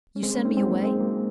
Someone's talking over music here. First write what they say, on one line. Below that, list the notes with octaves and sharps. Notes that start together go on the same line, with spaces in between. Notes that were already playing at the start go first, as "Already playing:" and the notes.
"You send me away?"
C#4
G#3 C4
A#3 C#4
C4 D#4
G#3 C4
F#3 A#3
G#3 C4
F#3 A#3